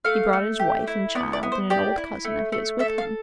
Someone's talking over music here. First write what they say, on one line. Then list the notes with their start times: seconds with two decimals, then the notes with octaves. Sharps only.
He brought his wife and child and an old cousin of his with him.
0.05 A3 F5
0.33 A3
0.59 G4
0.87 E4
1.15 B3 D5
1.33 D5
1.43 B3
1.52 C5
1.70 G4 D5
1.98 E4
2.25 A3
2.52 A3
2.79 A4 E5
2.98 F5